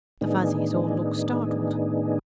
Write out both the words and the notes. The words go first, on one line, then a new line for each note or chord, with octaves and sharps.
The Fuzzies all looked startled.
A2 D#3 B3 D4 D#4 G#4